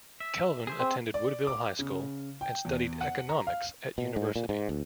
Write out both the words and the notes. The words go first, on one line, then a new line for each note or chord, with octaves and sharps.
Kelvin attended Woodville High School and studied economics at university.
E5
G#4 C5 E5
C4
D5
D6
C#3
G5
E2
F#5
A#5
F5
B2
G#2
A#2
G#2
D2